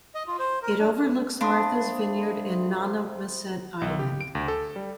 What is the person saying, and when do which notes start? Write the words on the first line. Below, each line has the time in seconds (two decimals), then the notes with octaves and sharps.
It overlooks Martha's Vineyard and Nonamesset Island.
0.15 D#5
0.27 F4
0.39 C5
0.62 A#4
0.79 D4
1.41 C3 A3 D4 C5 F5 B5 C6 D#6
3.81 B1
3.99 G4
4.21 D7
4.35 D2
4.48 A4
4.76 G3